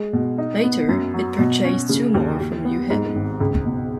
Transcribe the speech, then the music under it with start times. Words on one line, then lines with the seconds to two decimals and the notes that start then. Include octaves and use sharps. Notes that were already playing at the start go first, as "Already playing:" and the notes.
Later it purchased two more from New Haven.
Already playing: G#3
0.13 B2
0.38 D#4
0.63 B3
0.89 F#2
1.14 F#3
1.39 B2
1.64 C#4
1.89 C#3
2.14 D#2
2.40 D#2
2.65 B3
2.90 G#2
3.15 G#1
3.40 C#2
3.65 B2